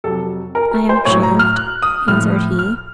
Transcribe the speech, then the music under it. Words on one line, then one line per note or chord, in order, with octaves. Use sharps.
"I am shaved," answered he.
F2 C3 F#3 A4
A#4
A#4
C5
A2 F#3 C#5
A#5
F6
F#6
D#6
A2 F3 F6
F6